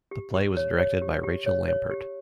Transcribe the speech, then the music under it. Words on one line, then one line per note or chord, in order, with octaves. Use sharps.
The play was directed by Rachel Lampert.
G4
G4
C#5
C#5
G4
G4
C#5
C#5
G4